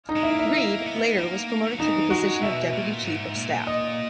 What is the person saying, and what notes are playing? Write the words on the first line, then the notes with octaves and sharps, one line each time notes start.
Reid later was promoted to the position of Deputy Chief of Staff.
D#4
G#3
A#3 E4
E4
A#3
B3
A#3
F#3
E3 D#4
G#3 F#4
B2 E5
A#2
G#2
A#2
D#5